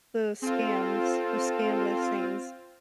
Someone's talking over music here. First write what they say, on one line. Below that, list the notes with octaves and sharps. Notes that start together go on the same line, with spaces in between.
the scams, the scam listings,
C4 F4 A4